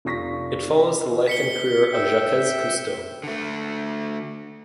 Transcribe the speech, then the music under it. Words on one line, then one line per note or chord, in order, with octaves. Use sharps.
It follows the life and career of Jacques Cousteau.
F1 F3 C#6 A#6 B6
B6 C#7 G7
E5 G5
D3 A3